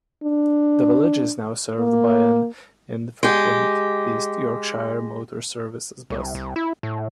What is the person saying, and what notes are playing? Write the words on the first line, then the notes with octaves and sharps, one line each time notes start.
The village is now served by an infrequent East Yorkshire Motor Services bus.
D4
A#3
G#3 G4
C2
C2
E4
A2